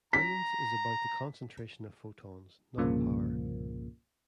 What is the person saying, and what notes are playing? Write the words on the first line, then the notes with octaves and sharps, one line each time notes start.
Brilliance is about the concentration of photons, not power.
A#5 B6
C2 G2 A#2 C#3 F3 A#3